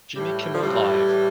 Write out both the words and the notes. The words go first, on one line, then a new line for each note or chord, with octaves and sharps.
Jimmy Kimmel Live!
A2 E3 G3
G3
F3
A2 E3 G3
A2 E3